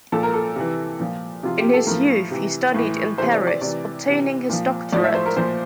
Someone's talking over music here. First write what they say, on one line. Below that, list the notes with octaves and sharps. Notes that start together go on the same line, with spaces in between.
In his youth he studied in Paris, obtaining his doctorate.
A#2 F3 A4
A#4
A4
C3 E3
A#2 F3
C3 F3 F4
G4
A4
A2 F3 A#4
C3 E3
A2 E3
C3 E3 C5
D5
D5
C3 E3 D5
C3 E3
A#2 F3
A2 F3 D5
E5
C5
A#4
A#2 F3 C5